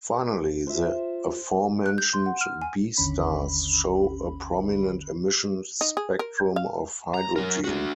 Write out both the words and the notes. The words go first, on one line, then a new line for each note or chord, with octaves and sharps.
Finally, the aforementioned Be stars show a prominent emission spectrum of hydrogen.
F4 C5 E5
F#6
G6
C6
F#5
F6
G#5
G#1 D#2 D3 C#4 B5
D#4
G#4
A#4
F5
A#5
F#3 A#4
D4 F#4